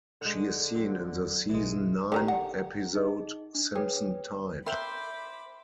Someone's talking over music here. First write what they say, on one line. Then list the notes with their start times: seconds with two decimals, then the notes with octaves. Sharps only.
She is seen in the season nine episode "Simpson Tide".
0.22 D3 G#3 F#5
0.75 F#3 C4
1.49 B1 E3 G#3
2.12 D3 D#3 G4 A#4 G5 A#5
2.28 F#5
2.95 D#4 G#4 D#5
3.55 D4
3.75 G#4 B4 C#5 G5
4.66 A#4 C5 E5 G5 B5 C6 D6